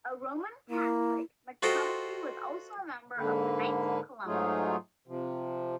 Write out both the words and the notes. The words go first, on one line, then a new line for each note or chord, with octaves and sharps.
A Roman Catholic, MacCarthy was also a member of the Knights of Columbus.
A#3 E4
F4 F#4 A4 C5 D#5 G5
G#2 D3 A#3 B4
G#2 F#3 A3 D#4 F4 G#4
C3 F3